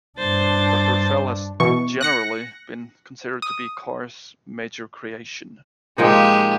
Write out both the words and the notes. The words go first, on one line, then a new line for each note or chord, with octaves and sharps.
Doctor Fell has generally been considered to be Carr's major creation.
G2 D4 C5 A6
B2 E3 C#6
F#6 A#6 C#7
D#6
A#2 F3 G#3 D#4 G4